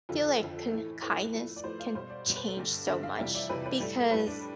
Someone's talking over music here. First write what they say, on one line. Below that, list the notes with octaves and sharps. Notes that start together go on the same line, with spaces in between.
feel like k kindness can change so much, because
F2 D3 F3 F4
A4
F2 D3 F3
A2 E3 A3
A2 E3 A3 B4
A2 F3 A3
D5
A2 F3 A3 C5
F5
B2 G3 C5
D5
B2 G3
B4
A4
G2 D3 G3
G2 D3 G3 A4
F5
F2 C3 E3 G3 E5
D5
F2 C3 E3 G3 B4
B4
A2 G3 A4
A4
A2 G3 B4
D4